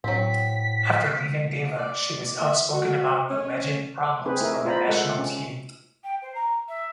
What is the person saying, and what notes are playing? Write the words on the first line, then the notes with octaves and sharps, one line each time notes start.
After leaving Deva, she was outspoken about alleged problems on the national team.
A2 F#3 C4 B6
D5
E5
F#4
C#4
C4 D#4 G#4 B4 C5
A3 E4 A#4 E5
F4 C5 D5 A#5 B5
G#3 A4 A#4 F#5
C#4
G5
C5
A#5
E5